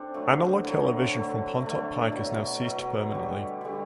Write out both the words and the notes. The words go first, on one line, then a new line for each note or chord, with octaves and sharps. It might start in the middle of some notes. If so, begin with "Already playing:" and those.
Analogue television from Pontop Pike has now ceased permanently.
Already playing: C4 D4 A4 C5
D3 F#3 A3
D3 F#3 A3 E4
D3 A3
D3 A3
B2 F#3 A3 E4
B2 F#3 A3
D3 G3 F#4
D3 G3